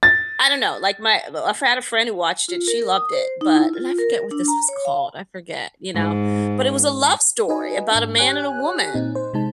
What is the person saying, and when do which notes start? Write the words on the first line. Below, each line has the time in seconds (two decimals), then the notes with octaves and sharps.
I don't know. Like, my I've had a friend who watched it. She loved it, but and I forget what this was called, I forget, you know? But it was a love story about a man and a woman.
0.03 A6
2.48 F4
2.67 A#4
2.91 D#6
3.13 C5
3.41 D#4
3.54 E4
3.73 F4
3.98 A#4
4.31 D4
4.48 A#5
4.69 C#5
4.85 F5
5.94 G#2
7.48 D#4 F#4 B4 D#5 G#5
7.91 G#2 D4
8.19 G4 C#5 G#5 F#6
8.94 A#2 C4 D#4
9.15 C5
9.34 C3 G#3 D#4 A5